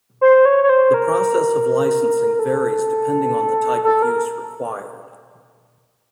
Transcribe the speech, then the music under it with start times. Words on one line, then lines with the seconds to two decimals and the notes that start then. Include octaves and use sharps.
The process of licensing varies depending on the type of use required.
0.21 C5
0.45 C#5
0.64 C#5
0.69 C5
0.94 A#4
2.39 A4
3.84 A4
4.02 A#4